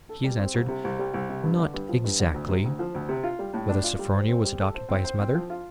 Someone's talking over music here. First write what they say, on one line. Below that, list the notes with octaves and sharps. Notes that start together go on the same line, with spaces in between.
He has answered, 'Not exactly.' Whether Sophronia was adopted by his mother?
A4
G3
C4
C2
C3
C2
G3
C2
C3
G2
D3
G2
F3
G2
D3
D2
C3
D2
F3
D2
C3
F4
G3
A2
D4
F4
G3
C5
C4
G3
A4
C5
C4
C5
C4
F3
F4